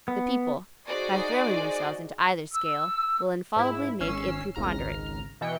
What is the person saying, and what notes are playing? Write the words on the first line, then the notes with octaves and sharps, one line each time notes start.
The people, by throwing themselves into either scale, will infallibly make it preponderate.
B3
D#4 F#4 G#4 C5 D5 D#5
E6
G#2 E4
G#1 C#4 E6 C7
G#1 C#2 A#5 F6
B2 E3 G5 C#7